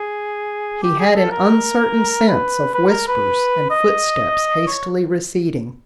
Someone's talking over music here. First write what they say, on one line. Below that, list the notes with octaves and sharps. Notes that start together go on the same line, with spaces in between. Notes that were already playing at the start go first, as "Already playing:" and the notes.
He had an uncertain sense of whispers and footsteps hastily receding.
Already playing: G#4
G4
G#4
A4
A#4
B4
B4
A#4
B4
D#5
C#5